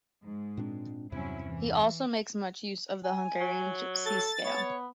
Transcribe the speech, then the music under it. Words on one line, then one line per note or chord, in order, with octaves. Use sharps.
He also makes much use of the Hungarian gypsy scale.
G#2
A#2 C4 D4
E2 G2 C3 F#3 C#4 E4
E3
G#5
F#3
A4 A6
B3 C#5